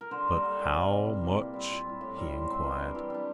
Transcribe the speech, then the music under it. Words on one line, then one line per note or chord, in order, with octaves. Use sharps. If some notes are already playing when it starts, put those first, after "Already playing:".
"But how much?" he inquired.
A#4
D3 C5
G3 A#3
D3 A4
G3 A#3
C3
E3 A#3 E4
C3
E3 A#3 E4
A#2
G3 C4 E4
A#2 F4
G3 C4 E4
A2 G4
G3 C4 E4 A#4
A2 C5
G3 C4 E4
E3 A#4
G3 D4
E3 G4
G3 D4